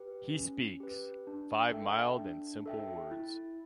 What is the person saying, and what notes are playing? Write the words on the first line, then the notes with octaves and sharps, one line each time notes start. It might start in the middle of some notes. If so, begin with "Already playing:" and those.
He speaks: five mild and simple words.
Already playing: G4 B4
C#4
G4 B4
D4
A4 E5 G5
D4
A4 E5 G5
E4